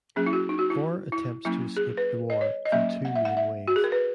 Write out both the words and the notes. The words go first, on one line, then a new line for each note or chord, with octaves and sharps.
Orr attempts to escape the war in two main ways.
F#3 A#3 C#4 G#4
E4
F#4
D#4
F#4
E4
E4
F#3 A#3 C#4 E4
G#4
B4
D#5
C#5
D#5
F#3 A#3 C#4 E5
F#5
E5
F#5
E5
F#4
G#4
A#4
B4